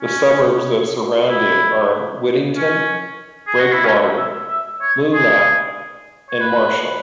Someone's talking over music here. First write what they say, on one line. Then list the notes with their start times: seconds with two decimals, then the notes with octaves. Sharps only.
The suburbs that surround it are Whittington, Breakwater, Moolap and Marshall.
0.01 C#4
1.30 E4
2.57 C#4
3.47 G#4
3.59 F#4
3.72 E4
3.85 C#4
4.17 E5
4.50 E5
4.82 C#5
5.13 G#4
6.30 C#5
6.41 B4